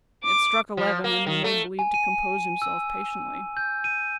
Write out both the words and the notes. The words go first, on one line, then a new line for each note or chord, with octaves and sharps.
It struck eleven, and he made believe to compose himself patiently.
D6
F3
A#3
D#3
A3
G#5
D#7
E6
G6
D#7